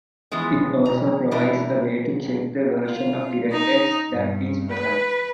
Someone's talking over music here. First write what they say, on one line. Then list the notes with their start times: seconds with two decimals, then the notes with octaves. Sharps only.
It also provides a way to check the version of DirectX that is present.
0.32 E3 F3 G#3 B3
0.86 A#5
1.31 E3 G3 D4 E4 G4 A#4
2.88 F4
3.51 D#4
4.10 G2
4.68 B4